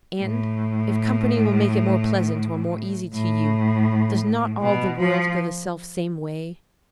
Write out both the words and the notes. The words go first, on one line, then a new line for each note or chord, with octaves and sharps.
And, if company will make it more pleasant or more easy to you, does not all the world go the self-same way?
A2
A2
B2
F3